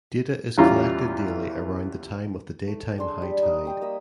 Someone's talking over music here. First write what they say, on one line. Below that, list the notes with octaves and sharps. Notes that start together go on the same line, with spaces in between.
Data is collected daily around the time of the daytime high tide.
E2 E3 G3 C#4 F4 A#5
A3
D4 G#4 C6 E6
G3
D#4
D#4 G5 D#6
A#3 D#5 B5 E6